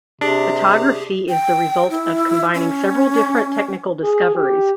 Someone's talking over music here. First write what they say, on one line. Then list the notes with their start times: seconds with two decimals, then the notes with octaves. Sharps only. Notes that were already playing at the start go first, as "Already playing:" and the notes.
Photography is the result of combining several different technical discoveries.
0.21 C3 D4 G4 G#4
1.29 G5
1.90 E4
2.54 C#4
4.03 G#4
4.35 G4